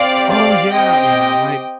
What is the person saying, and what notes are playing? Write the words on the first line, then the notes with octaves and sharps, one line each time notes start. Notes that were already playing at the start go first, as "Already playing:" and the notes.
Oh, yeah, yeah, my
Already playing: C4 G4 D5 F5
D5 F5
C4 G4 D#5 G5